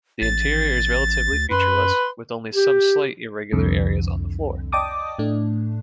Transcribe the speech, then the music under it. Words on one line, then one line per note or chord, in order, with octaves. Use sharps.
The interior is relatively featureless, with only some slight irregular areas on the floor.
A1 A6
D2
F#2 B4 C6
G4
C2 F2 D3
D5 D#5 G5 A5 D6 D#6
A2 A3 D4